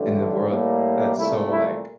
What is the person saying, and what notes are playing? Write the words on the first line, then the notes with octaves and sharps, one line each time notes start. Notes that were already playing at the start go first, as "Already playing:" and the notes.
In a world that's so, like
Already playing: A1 G2 D3 A3
A2 G3 A#3
C2 A#2 A3 E4
E4